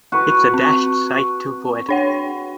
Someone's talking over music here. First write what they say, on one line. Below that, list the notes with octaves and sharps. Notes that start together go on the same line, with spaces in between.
It's a dashed sight too poetic.
F#4 B4
C4
D4 C#5 F#5